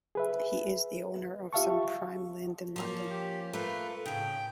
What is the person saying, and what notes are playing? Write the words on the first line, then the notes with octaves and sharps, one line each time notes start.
He is the owner of some prime land in London.
G#4 B4 E5
F4 G4 E5 F5 A5 C#6
F3 A#3 C#4
G4
A3 F4 A#4 B4
A2 C#3 G5